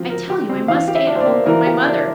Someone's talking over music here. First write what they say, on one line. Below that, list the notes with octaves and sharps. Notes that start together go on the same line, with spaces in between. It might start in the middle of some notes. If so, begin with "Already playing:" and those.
I tell you, I must stay at home with my mother.
Already playing: F3 C4
A#4
G4
C4
E3 F5
G4
E5
D4
C5
D5
A#3
E3 A#4
G4
D4